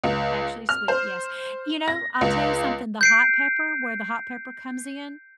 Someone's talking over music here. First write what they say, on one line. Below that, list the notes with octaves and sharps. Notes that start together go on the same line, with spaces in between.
It's actually sweet. Yes, you know, I'll tell you something, the hot pepper where the hot pepper comes in,
C#2
F6
C5
A#6
C#2
G6 C7 D7